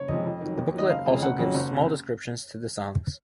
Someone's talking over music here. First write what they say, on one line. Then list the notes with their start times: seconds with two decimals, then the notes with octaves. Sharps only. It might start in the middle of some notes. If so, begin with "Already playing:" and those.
The booklet also gives small descriptions to the songs.
Already playing: F#1 C#5
0.08 F2 C3 F3 G#3 D#5
0.25 F2
0.41 D#3 F#3
0.57 D#2
0.74 D#3 F#3 D#5
0.90 F#1 F5
1.06 F2 C#3 G#3
1.22 F#1 F#5
1.38 F2 C#3 F#3
1.54 F#1
1.73 C3